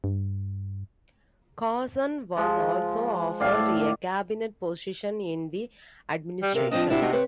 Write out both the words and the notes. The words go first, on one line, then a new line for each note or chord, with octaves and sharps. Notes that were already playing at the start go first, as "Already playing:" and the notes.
Carson was also offered a cabinet position in the administration.
G2
F3 G#3
A2 D5 F5 A5
G3
C3 A#4 F5
F3 C4 D4 D#5
C3 D4 E4 F#4
D4 D#4 F#4
C4 B4 C#5